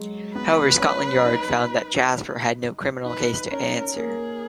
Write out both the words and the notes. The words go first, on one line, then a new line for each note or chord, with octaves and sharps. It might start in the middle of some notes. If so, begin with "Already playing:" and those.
However, Scotland Yard found that Jasper had "no criminal case to answer".
Already playing: F#3 G#3
B3 B4
C#4
D#4
D#4 B4
C#4 A#4
A#3 G#4